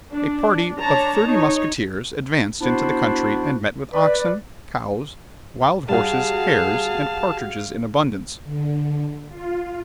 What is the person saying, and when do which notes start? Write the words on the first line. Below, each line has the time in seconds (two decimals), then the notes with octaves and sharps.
A party of thirty musketeers advanced into the country and met with oxen, cows, wild horses, hares, and partridges in abundance.
0.11 D4
0.78 D4 C#5 A5 A#5
1.25 D#4 C#5
2.61 B3 D4 E4 F#4 C5
3.93 B4 D5
5.89 G3 F#4 G#4 F5 A5
8.44 D3
9.28 F4